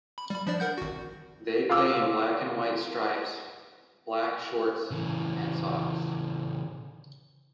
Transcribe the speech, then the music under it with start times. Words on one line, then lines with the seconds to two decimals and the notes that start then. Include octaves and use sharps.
They play in black and white stripes, black shorts and socks.
0.18 B5
0.30 G3 B5
0.47 F3 D4 D5
0.60 A#4 F#5 G6
0.78 G#1 F#4
1.70 F4 F5 D6 E6
4.91 C#3 E3